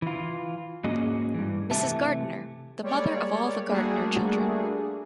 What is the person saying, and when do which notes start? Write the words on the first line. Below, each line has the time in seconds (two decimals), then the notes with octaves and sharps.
Mrs. Gardiner: The mother of all the Gardiner children.
0.02 E3 F4
0.84 G#2 A#3 C#4 F#4 G#4 D#5
1.34 G2 E3
1.71 C3 E3 A3 G4 E5 A5
2.82 G3 G#3 A#3 C#5 D5
3.67 G3 A3 A#3 D4 F#4 G#4